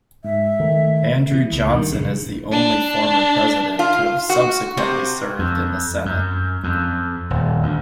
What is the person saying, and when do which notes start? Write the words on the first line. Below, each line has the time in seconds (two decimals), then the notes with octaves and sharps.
Andrew Johnson is the only former president to have subsequently served in the Senate.
0.24 G#2 E5
0.60 D#3 A3
1.32 B2 E3
1.52 C#2
1.70 G2 D#3
1.91 A#1 F#2 C#3
2.51 D4
3.79 F4
4.30 F#4
4.77 C3
5.39 F2
6.06 F#2
6.64 F2
7.30 D#1
7.63 D2